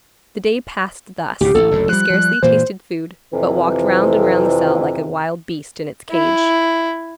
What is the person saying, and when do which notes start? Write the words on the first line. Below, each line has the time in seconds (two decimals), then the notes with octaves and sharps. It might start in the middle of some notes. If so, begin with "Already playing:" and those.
The day passed thus; he scarcely tasted food, but walked round and round the cell like a wild beast in its cage.
1.41 D2 A2 C#3 G4
1.55 A1 D2 A4
1.71 F#1 D2 A2
1.89 F3 G3 F#6
2.10 F3 G3
2.43 G2 A#2 E3 C5
3.33 F2 C3 E3
6.11 E4